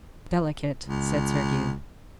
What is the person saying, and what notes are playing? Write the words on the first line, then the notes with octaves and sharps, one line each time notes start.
"Delicate!" said Sir Hugh.
C#2